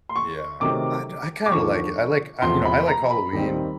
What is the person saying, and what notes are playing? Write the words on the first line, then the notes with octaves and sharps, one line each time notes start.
Yeah, I do I kind of like it, I like I you know, I like Halloween.
C6
C#6
C3 D#3 F#3 A3 C4 D6
D6
D#2 D3 F3 C#6
E2 C3 F3 A3 C6
B5
A#5
B5
D#2 D#3 G3 C4